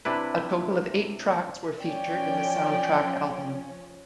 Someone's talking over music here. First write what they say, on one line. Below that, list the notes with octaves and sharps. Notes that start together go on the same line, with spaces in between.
A total of eight tracks were featured in the soundtrack album.
C3 D4 E4 B4
F3 C#4 D5 G5